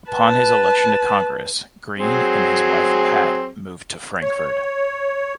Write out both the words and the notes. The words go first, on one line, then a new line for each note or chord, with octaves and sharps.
Upon his election to Congress, Green and his wife Pat moved to Frankford.
B4 A5
F#3 C4 G#4
C#5